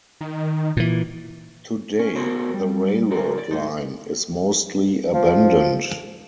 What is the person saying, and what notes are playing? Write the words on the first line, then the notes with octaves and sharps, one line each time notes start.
Today the railroad line is mostly abandoned.
D#3
A#2 E3
C#4
B3 F#4 A#4 C5 D5
G3
G#2 F#3 A#4
D5
G#2 D#4
F3